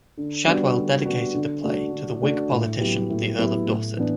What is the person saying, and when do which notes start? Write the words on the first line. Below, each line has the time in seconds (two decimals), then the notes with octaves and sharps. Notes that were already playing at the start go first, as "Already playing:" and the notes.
Shadwell dedicated the play to the Whig politician the Earl of Dorset.
0.18 D3
0.47 G3 B3 D4 F#4
0.76 D3
1.05 G3 B3 D4 F#4
1.34 D3
1.64 A3 D4 F#4
1.92 D3
2.22 A3 D4 F#4
2.51 A2
2.80 F#3 B3 E4 G4
3.10 A2
3.38 F#3 B3 E4 G4
3.67 A2
3.97 E3 B3 D4